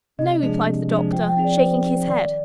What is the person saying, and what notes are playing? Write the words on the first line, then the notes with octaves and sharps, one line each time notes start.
'No,' replied the Doctor, shaking his head.
C3 D#5
F3 G#3 D4 G#4
C3
F3 G#3 D4 G#4
F3 G5
G5
C4 D#4 G#4
D5
F3 C5
C4 D#4 G#4
D#3 D5